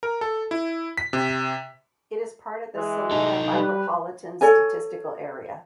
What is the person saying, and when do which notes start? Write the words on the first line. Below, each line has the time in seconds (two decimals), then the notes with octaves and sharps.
It is part of the Salina Micropolitan Statistical Area.
0.03 A#4
0.21 A4
0.51 E4
0.98 B6
1.13 C3
2.74 E3 G#3
3.11 D#4 A4
3.53 G3 B4
4.41 A4 C#5 G#5